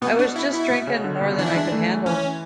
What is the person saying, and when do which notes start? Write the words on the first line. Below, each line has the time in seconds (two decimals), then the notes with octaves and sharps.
I was just drinking more than I could handle.
0.02 B2 B3
0.19 D4
0.36 E4
0.53 E4
0.70 B2
0.87 C#3
1.04 D3
1.21 B2
1.29 C#3
1.38 E3 D4
1.46 E4
1.55 G#3 D4
1.72 A3
1.90 G#3
2.06 E3 C#4